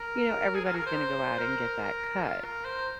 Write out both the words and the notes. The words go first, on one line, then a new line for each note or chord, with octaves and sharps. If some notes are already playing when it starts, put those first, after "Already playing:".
everybody's gonna go out and get that cut.
Already playing: A#4
G#4
F4
A#4
C5
A#4
F4
A#4
C5